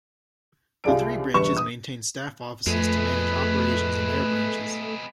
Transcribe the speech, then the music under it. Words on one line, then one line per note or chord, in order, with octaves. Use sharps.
The three branches maintain staff offices to manage operations in their branches.
C2 F4 G#4 D5 D7
E1 G3 B4 C#6 E7
D#6
F2 G#3 A3 B3 B4